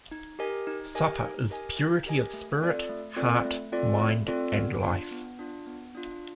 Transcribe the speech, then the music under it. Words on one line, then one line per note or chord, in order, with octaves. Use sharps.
Safa is purity of spirit, heart, mind, and life.
D#4
G4 A#4 D#5 G#5
D#4
G4 A#4 D#5 G#5
D#4
G4 A#4 D#5 G#5
D#4
G4 A#4 D#5 G#5
A3
C4 F4 A4 D5
A3
C4 F4 A4 D5
A3
C4 F4 A4 D5
A3
C4 F4 A4 D5
B3
D4 F4
B3
D4 F4
B3
D4 F4